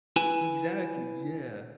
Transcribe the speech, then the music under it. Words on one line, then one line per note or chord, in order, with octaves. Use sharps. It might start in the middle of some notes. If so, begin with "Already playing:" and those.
Exactly, yeah,
E4 B4 G#5